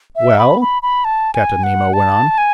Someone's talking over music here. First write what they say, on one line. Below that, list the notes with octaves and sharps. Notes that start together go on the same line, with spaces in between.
"Well?" Captain Nemo went on.
E5
B5
B5
B5
A5
G#5
F#5
A5
G#5